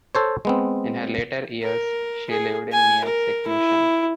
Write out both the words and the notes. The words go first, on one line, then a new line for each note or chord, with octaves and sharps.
In her later years she lived in near seclusion.
A4 C5 C#5
G#3 B3 C4
A#4
G#4
G#5
A#4
E4